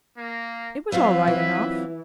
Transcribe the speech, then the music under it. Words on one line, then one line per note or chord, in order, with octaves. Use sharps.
It was all right enough.'
A#3
F#3 C4 F4 B4 E5 F5
E3